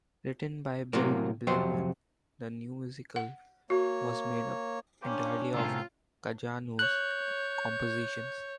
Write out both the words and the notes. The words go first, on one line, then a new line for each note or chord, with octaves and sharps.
Written by Bill Blenman, the new musical was made up entirely of Kajanus compositions.
A2 C3 F#3 A#3
F2 C3 F#3 C4 C5
F#5
A#3 F#4 C#5
A#3 C#4 D4 G4 C5
A2 C3 C#4 F4 A4 A#4
C#5 F#6 G6